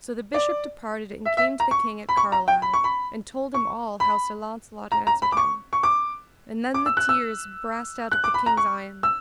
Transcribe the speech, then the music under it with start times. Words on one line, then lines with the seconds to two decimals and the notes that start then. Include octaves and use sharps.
So the Bishop departed and came to the king at Carlisle, and told him all how Sir Launcelot answered him; and then the tears brast out of the king's eyen.
0.34 D5
1.25 E5
1.37 E5
1.60 A#5
1.71 C#6
2.09 B5
2.17 C#6
2.32 A#5
2.48 G5
2.62 B5
2.74 C#6
2.84 B5
3.54 C#6
4.00 B5
4.92 A#5
5.07 A#5
5.22 B5
5.32 D6
5.37 C#6
5.73 C#6
5.83 D6
6.74 D6
6.86 E6
6.97 F#6
7.09 E6
8.12 F#6
8.24 D6
8.34 B5
8.46 A#5
8.57 C#6
9.03 E6